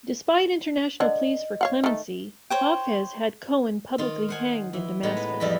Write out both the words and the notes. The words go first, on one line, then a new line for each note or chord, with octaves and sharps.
Despite international pleas for clemency, Hafez had Cohen publicly hanged in Damascus.
D3 D4 D#5
C#5 F5 F#5
D#3 A3
C5 C#5 G5
D#3 F4
C5 F#5 G#5
E3
A2 G#3 B3 D#4
B4
F2 E3 G3 D#5 B5